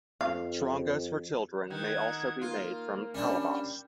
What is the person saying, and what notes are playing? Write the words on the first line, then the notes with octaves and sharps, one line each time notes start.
Charangos for children may also be made from calabash.
F2 F5
D#3 F#5 G#6
A#3 F4
G3 C#4 D4 A5